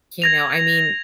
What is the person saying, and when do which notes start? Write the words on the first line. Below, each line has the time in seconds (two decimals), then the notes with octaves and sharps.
You know, I mean,
0.22 G#6 A#6 F7